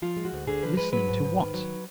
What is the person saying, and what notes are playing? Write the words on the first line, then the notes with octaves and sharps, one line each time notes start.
Listening to what?
F3 F4
G#3
F#4
D2
D3 G#4
F3 B4
G#3 B4
F#3 B4
G#2
G#2
D#3
F#3